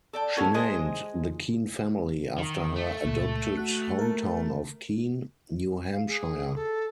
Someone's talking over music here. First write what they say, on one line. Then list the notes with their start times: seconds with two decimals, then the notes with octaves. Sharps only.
She named the Keene family after her adopted hometown of Keene, New Hampshire.
0.13 A4 D5 G5
0.37 B3 C#4 F#4 A4 A#4
0.54 G#3 G#4 C5 D#5
2.38 D#3
2.76 A3
3.05 C#2 A#2
3.57 F#4 F#6
3.99 A#4 A5
5.93 F5
6.07 G#4
6.56 A4